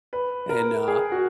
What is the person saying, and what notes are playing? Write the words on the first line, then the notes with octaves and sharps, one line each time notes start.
and, uh,
B4
A#4
G#4
F#4